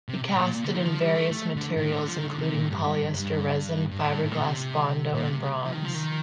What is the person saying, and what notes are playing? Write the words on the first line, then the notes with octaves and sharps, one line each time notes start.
He casted in various materials, including polyester resin, fiberglass, Bondo, and bronze.
C3
C3
A2
A#2
A#2
D3
D#3
F3
G3
A3
A3
D3
A2
D3
F3
D#3
D3
C3
A#2
A2
G2
G2
G2
G2
A2
G2
A2
A#2
C3
A#2
C3
F3
D#3
F3
D#3